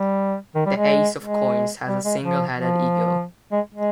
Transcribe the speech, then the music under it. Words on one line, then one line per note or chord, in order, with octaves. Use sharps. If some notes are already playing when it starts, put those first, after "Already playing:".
The Ace of Coins has a single-headed eagle.
Already playing: G3
D#3
G3
G#3
G#3
G3
G#3
F3
F3
G#3
G#3